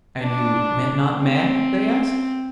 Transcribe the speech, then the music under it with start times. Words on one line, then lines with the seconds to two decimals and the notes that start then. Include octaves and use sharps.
"And you went not mad?" they asked.
0.22 D4
1.16 C4